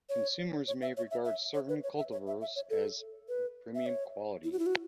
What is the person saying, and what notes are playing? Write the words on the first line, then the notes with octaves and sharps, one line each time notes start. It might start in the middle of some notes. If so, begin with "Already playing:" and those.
Consumers may regard certain cultivars as "premium" quality.
C#5
C#5
E5
C#5
E5
E5
C#5
B4
C#5
E5
C#5
E5
E5
C#5
A4
B4
E5
C#5
E4
F#4
E4
F#4